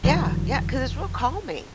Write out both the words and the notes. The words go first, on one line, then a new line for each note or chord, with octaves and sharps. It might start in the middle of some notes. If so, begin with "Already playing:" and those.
Yeah, yeah. 'Cause it's real calming,
F1 D3 E3 F#3